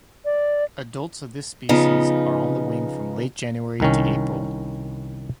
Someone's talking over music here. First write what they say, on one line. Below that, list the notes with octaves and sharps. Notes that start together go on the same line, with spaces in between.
Adults of this species are on the wing from late January to April.
D5
C#3 F3 B3 D#4
C2 D#3 C#4